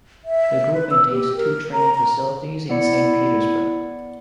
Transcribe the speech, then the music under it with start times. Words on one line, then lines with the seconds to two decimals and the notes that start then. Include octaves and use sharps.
The group maintains two training facilities in Saint Petersburg.
0.25 E5
0.74 B4
0.91 E6
1.11 G4
1.37 A#4
1.72 A#5
1.94 A#5
2.70 B3 E4 D5 C#7